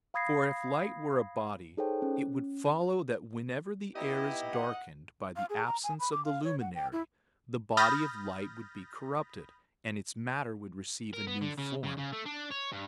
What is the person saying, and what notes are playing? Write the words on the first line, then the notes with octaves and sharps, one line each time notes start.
For if light were a body, it would follow that whenever the air is darkened by the absence of the luminary, the body of light would be corrupted, and its matter would receive a new form.
F5 B5 D#6 G#6 A#6 C7
D#4 G#4 A4 C5 C#5 G5
C#4
B3 D#4 E4 G4 D#5
F#5
F5
G#4
A#5
G#5
B5
D6
F5
C#5
F#5
G5
E4
B5 D#6 F6 G6 A6 A#6
A#4
B3
D3
C#3
C#3
C#3
A3
D4
C#5
G2